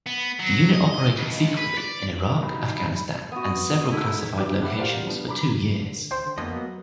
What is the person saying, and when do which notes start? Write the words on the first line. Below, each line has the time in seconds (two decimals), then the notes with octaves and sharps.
The unit operated secretly in Iraq, Afghanistan and several classified locations for two years.
0.06 B3
0.39 F#3
0.73 D#5
1.16 C#2
1.57 B4
1.78 D5
2.40 G1 C2 D#3 F#3 D#4 B5
3.32 B3 F#4 D#6
3.91 G#3 D#4 E4 A4
4.38 B1 F#3 B3 D4 G4 D6
4.61 E5 F#5 B5 D6 F#6
4.77 F4 G4 A#4 C5 D5 F#5
5.06 F3 G3 B3 D4
5.28 A#5 B5 D6 B6
5.82 D3
6.11 C#2 C5 G5
6.26 D3
6.38 F2 B2 A#3 B3 D#5
6.56 F#3